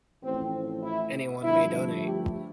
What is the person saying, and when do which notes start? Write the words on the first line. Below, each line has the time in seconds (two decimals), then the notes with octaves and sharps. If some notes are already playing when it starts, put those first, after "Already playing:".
Anyone may donate.
0.23 A1 A2 F3 C4
0.83 E4
1.43 G2 D3 F3 A3 E4
2.03 G4